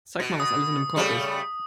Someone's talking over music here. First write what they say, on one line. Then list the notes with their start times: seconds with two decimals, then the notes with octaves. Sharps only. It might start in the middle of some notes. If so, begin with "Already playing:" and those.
Zeig mal, was alles in dem Korb ist.
0.20 B2
0.40 D#6
0.96 C#3 G3 A3